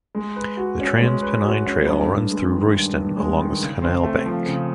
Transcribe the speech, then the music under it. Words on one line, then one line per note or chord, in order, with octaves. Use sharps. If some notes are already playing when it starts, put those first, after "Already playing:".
The Trans Pennine Trail runs through Royston along the canal bank.
G#3
B4
F#4
C#4
G#3
B4
F#4
C#4
G2
G2
G#3
D#3
G2
G2
G#3
D#3
C#3
C4
A3
F3
C#3